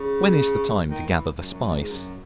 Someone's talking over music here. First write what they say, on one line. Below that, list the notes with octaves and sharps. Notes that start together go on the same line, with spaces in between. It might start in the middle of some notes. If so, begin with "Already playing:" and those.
When is the time to gather the spice?
Already playing: C#3
D#3
E3
F#2
F#2
F#2
G#2
F#2